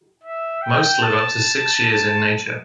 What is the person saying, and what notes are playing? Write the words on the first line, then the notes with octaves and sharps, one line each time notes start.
Most live up to six years in nature.
E5
G5
A5